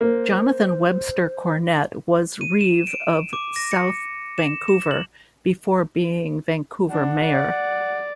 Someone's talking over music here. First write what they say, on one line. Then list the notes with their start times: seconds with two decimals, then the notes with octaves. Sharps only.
Jonathan Webster Cornett was reeve of South Vancouver before being Vancouver mayor.
0.01 A#3 C5
2.41 D#7
2.61 E7
2.87 D7
3.33 D6
3.56 A#6
3.72 C#7
4.38 E7
4.68 E7
4.91 F#7
6.90 D4 F#5
7.25 D5